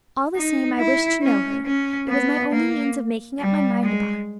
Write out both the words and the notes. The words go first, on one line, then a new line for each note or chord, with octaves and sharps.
All the same, I wished to know her; it was my only means of making up my mind about her.
D#4
E4
C#4
C#4
B3
A#3
G3
G#3